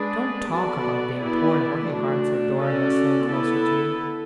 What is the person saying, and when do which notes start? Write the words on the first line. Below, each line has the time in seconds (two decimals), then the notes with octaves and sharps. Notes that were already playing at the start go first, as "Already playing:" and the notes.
'Don't talk about being poor, and working hard!' said Dora, nestling closer to me.
Already playing: G#3 D4 G#4 B4 D5
0.49 B3 F#4 A4 D5
1.19 B3 E4 G#4 D5
1.88 A3 D4 F#4
2.59 C#4 F#4 A4 D5
3.28 B3 E4 A4